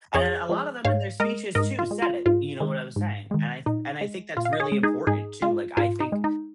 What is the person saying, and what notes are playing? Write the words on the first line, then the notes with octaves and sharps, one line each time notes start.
And a lot of them in their speeches too said it, you know what I was saying, and I and I think that's really important too, like I think
F2 G#4 C#5
F3 G#3
G#2 C#5 F5
G#3 A#4 D#5
G#2 A#4 D#5
F4
G#3
F4
G#2 F4
D#3 G#3
G#2
D#3 G#3
A#2 D#4
G#3
A#2 F4
F5
D#5
G#4 C#5
G#3
D#4 G#4
G#2 D#4 G#4
G#3 F4
G#2 F4
D#4
G#3
D#4